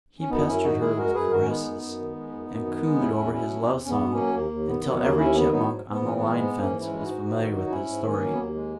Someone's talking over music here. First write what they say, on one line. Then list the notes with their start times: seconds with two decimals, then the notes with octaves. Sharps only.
He pestered her with caresses and cooed over his love-song until every chipmunk on the line fence was familiar with his story.
0.20 C#4
0.30 F#2 B3 D#4
0.47 F#2 C#4 E4
0.63 D#3 D#4 F#4
0.80 G#3 E4 G#4
0.97 F#2 F#4 A#4
1.14 F#2 G#4 B4
1.31 D#3 F#4 A#4
1.41 C#4
1.47 G#3 B3 D#4
1.65 F#2
1.81 F#2
1.99 D#3
2.16 G#3
2.32 F#2
2.49 F#2
2.65 D#3
2.82 G#3
2.99 E2 C#4 E4
3.16 E2
3.32 B2 C#4 E4
3.50 F#3
3.67 E2
3.83 E2 C#4
3.89 B3
4.00 B2
4.11 A#3 C#4
4.17 F#3
4.34 D#2 A#3
4.51 D#2
4.67 D#3 B3
4.84 F#3
5.01 D#2 A#3
5.17 D#2 C#4 E4
5.35 D#3 B3
5.51 F#3 B3 D#4
5.69 G#2
5.86 G#2
5.91 B3
6.02 E3 C#4
6.14 B3
6.19 G#3
6.35 G#2 B3
6.52 G#2
6.58 A#3 C#4
6.69 E3
6.80 C#4 E4
6.87 G#3
6.99 E4
7.03 G#2 D#4 F#4
7.20 G#2
7.37 D#3
7.53 F#3
7.70 G#2 C#4 E4
7.87 G#2
8.04 D#3 A#3 C#4
8.21 F#3
8.33 B3
8.38 D#2 A#3
8.54 G#3